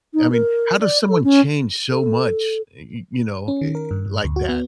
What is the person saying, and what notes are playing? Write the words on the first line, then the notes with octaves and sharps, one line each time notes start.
I mean, how does someone change so much, eh, y you know, eh, like that?
D#4
A#4
D5
A4
C#4
A4
C#4
D#3
A#4
G2
G2
D2
F#4
B3